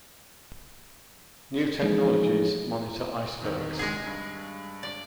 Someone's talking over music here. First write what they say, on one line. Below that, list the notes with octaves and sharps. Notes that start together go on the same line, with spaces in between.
New technologies monitor icebergs.
E3 F3 G#3 A#3 D#4 G#4
E2 C3 D#3
G#3 G#4
G2
D5